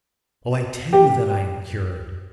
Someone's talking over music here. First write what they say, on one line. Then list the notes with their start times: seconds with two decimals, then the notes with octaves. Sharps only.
Oh, I tell you that I am cured!
0.93 G4